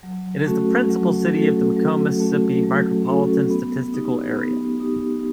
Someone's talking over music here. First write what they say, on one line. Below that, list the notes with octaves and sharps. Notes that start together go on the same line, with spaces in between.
It is the principal city of the McComb, Mississippi Micropolitan Statistical Area.
F#3
A3 C#4 F#4 A4
F#3
A3 C#4 F#4 A4
F#3
A3 C#4 F#4 A4
F#3
A3 C#4 F#4 A4
B3
D#4 G4
B3
D#4 G4